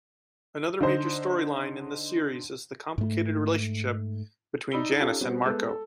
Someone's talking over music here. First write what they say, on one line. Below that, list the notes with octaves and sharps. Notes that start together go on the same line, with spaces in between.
Another major storyline in this series is the complicated relationship between Janis and Marco.
D3 D#4 C5
G#2 A3
D#4 D5 B5 E6 G7
C#4 D#4 F4 G4 A4
G3 B3 C4 F#4
G#3 B3 A4 B4
A4